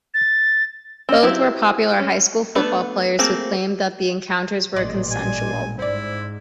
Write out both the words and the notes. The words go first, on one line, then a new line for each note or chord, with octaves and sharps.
Both were popular high school football players, who claimed that the encounters were consensual.
A6
C4 C#4 D#5
F#3 C4 E4 G4
C#4
A3 B3 D4 B4
A3 A#3 C4 G#4
A1 A#2 G3 D5 D#5 C6
G#5
G#2 E4 C5 D5